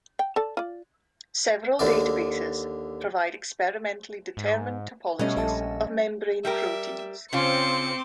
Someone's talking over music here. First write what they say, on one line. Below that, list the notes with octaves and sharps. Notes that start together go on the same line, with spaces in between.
Several databases provide experimentally determined topologies of membrane proteins.
G5
A4 D5 A5
F4 D5
D#2 D3 D5
G#2
B2 G3 A3 C#4 D#5
A#1 A4 E5 A5
G3 G4 A#4 E5
C#3 C4 C#4 F4 C5 C6 D6 C#7